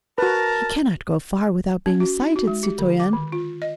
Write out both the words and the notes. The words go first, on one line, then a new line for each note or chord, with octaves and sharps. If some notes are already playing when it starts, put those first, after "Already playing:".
"He cannot go far without being sighted, citoyen."
F#4 A#4 B4 A5
C#4
F#4
D#4
F#4
G#3
G4
D3
D6
D#3
F4
D#5